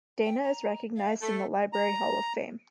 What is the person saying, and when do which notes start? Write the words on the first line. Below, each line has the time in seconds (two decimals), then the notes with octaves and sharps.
Dana is recognized in the Library Hall of Fame.
0.24 G5
0.43 A#5
0.97 F5
1.22 A3 A4
1.73 A#5